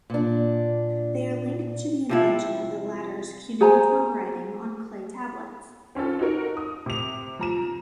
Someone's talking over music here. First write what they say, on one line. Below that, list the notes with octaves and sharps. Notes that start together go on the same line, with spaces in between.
They are linked to the invention of the latter's cuneiform writing on clay tablets.
A#2 D4
C3 F3 E4
G#4 C5 G#5 A#5
C4 C#4 F4 A4
D#4 F#4 A#4
D#6
C3 F7
F3 A#5 E7